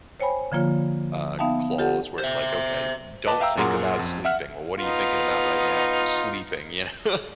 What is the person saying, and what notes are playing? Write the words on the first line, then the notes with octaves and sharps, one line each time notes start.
uh, clause where it's like, "Okay, don't think about sleeping," well, “What are you thinking about right now?” “Sleeping,” you know,
C5 C#5 G5 G#5 B5
D3 F3 A#3 F4 C#5
B3 D#4 E5 F5 G5 A5
F4 G4 A4 F#5
C5 E5
B4 D#5 A5 D6
E5 F5 G5 A#5 E6
F#2 A#2 G#4 A#4 F#5 C6
F2
E5 F#5 F6
B3 D#4 F4